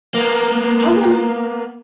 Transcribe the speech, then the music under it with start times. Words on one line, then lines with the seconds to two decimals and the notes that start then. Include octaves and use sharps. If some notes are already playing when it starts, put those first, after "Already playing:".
I wanna
0.14 A#3 B3